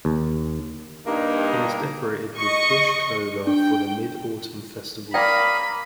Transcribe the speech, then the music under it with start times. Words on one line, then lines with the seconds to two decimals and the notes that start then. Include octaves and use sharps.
It is decorated with bush clover for the Mid-Autumn Festival.
0.05 D#2
1.06 G2 A#3 D#4
2.38 D#5 C#6
3.47 D4 G5
5.14 A#3 D5 F5 G5 A#5 B5 D#6